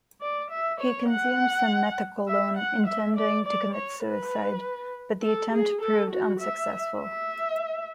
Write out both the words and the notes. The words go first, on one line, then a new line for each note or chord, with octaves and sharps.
He consumed some methaqualone, intending to commit suicide, but the attempt proved unsuccessful.
D5
E5
C#5
F#5
E5
F#5
E5
D5
D5
C#5
B4
A4
G#4
A4
F#4
E5
E5